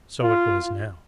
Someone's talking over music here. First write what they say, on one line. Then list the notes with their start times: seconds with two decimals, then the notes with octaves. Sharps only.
So it was now.
0.22 F4